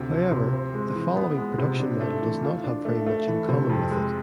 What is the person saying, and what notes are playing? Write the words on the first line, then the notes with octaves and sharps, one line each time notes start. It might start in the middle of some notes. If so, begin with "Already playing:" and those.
However, the following production model does not have very much in common with it.
Already playing: D2 C3
F3
C3
C4
G#3
E3
B3
G#3
C3
D4
A3
E3
F4
D4
A3
A3
E3
C3
F2
G#3